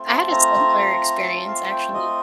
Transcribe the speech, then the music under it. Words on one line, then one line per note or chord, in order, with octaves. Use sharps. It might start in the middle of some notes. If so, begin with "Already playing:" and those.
I had a similar experience actually,
Already playing: A3 C4 F4
A5
A#5
A#5
A5
F5
G5
D#5